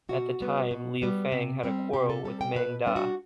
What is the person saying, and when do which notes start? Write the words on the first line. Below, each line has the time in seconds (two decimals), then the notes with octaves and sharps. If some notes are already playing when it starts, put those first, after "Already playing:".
At the time, Liu Feng had a quarrel with Meng Da.
0.09 B2 F#4
0.40 G3 B3
0.71 B2
1.02 G3 B3
1.32 C3
1.63 G3 C4
1.93 C3 G4
2.09 A4
2.24 G3 C4 A4
2.41 G5
2.55 B2 B4
2.86 G3 B3 D4
2.96 F#4